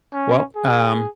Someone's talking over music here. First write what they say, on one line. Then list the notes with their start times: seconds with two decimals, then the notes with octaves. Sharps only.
Well, um,
0.13 C#4
0.56 G#4